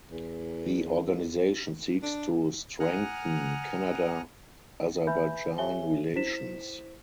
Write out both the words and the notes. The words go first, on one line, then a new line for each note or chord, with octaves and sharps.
The organization seeks to strengthen Canada–Azerbaijan relations.
E2
D4
F#5 G#5 A#5 D#6 F6 F#6
B4 E5 G#5 B5 G6
G4 C#5 E5 G#5 G7
E4 C5 B6 E7